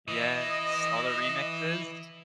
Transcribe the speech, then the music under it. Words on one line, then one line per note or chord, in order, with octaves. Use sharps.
Yes, all the remixes.
E3 E4 D#5